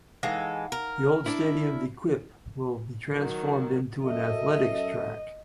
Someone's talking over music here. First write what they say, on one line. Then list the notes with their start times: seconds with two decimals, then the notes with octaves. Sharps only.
The old stadium 'De Kuip' will be transformed into an athletics track.
0.23 E3 G#3 D#4 A4 F5 F#5
0.72 A#4
1.26 D4 E4
3.13 D#3 F#3
4.05 F#2 A4 D#5 E5